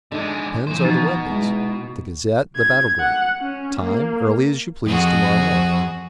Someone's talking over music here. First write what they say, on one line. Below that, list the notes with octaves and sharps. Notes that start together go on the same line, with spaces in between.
Pens are the weapons; the--Gazette, the battle-ground; time, early as you please to-morrow morning.
D3 G#3 D4 D#4 A4
A#2 E3 F3 D#4 C5
B2 D#4
G#3 E4 F4
G#6
F#5
C#4
A#3
F2 F#4 G#4